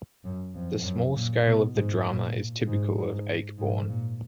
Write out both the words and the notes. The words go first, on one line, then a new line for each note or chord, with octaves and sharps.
The small scale of the drama is typical of Ayckbourn.
F#2
F2
F#2
A#2
B2
G#2
A#2
G#2
G#2
G#2
A#2